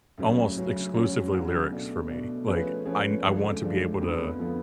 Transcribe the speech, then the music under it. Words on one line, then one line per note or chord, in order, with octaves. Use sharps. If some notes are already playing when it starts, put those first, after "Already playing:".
almost exclusively lyrics for me, like, I n I want to be able to
D2 C#3 F#3 C#4
D2 C#3 F#3 C#4
C#3 F#3 C#4 F#4
C#3 F#3 C#4 F#4
B2 A3 D4
B2 A3 D4
F3 A3 C#4 G#4 B4
F3 A3 C#4 G#4 B4
D2 D3 F3 G#3 D4
D2 D3 F3 G#3 D4
F2 D3 F3 B3
D3 F3 B3